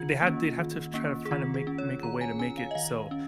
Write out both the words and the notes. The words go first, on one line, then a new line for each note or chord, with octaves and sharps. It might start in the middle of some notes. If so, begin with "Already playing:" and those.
they had they have to try to find a make make a way to make it so
Already playing: D#3 F4
A#3 C#4
D#3
A#3 C#4
G#4
D#3 F4
G#4
C#4
C#5
D#3 A#5
G#5
C#4 G#5
F5
D#5
D#3 F5
C#4